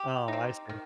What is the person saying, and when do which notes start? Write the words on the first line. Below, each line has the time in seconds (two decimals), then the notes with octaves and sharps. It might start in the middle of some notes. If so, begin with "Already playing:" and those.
Oh, I see.
Already playing: G3 G4
0.28 C4 D#4
0.69 D#3